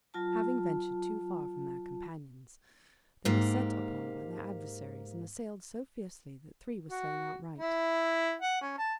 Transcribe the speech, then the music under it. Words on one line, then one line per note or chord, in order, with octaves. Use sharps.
Having ventured too far from their companions, they were set upon by their adversaries, and assailed so fiercely that three were slain outright.
F#3 F4 A5
G#2 A#3 G4
F#4
E4
F#5
C#4
A5